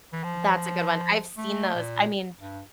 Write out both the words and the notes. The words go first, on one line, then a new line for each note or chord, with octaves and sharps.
That's a good one, I've seen those, I mean
E3
F3
A3
A#2
G2